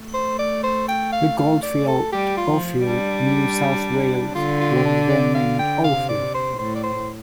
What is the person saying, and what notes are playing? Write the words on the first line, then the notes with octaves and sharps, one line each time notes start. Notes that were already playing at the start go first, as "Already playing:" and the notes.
The goldfield, Ophir, New South Wales, was then named Ophir.
Already playing: A3
C5
D5
C5
G5
F5
F5
D5
A4
G3 G4
F4
F3
G3 D4
D3 F4
F4
C4
D4
D5
F5
G5
C3 F5
D5
C5
A2 C5
D5
C5